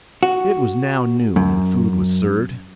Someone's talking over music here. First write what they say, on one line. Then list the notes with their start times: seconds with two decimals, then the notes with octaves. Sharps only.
It was now noon, and food was served.
0.23 F#4
1.36 F#2